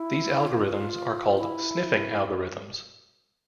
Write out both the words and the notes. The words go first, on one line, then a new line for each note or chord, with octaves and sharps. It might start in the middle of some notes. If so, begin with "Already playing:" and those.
These algorithms are called sniffing algorithms.
Already playing: E4
F4
E4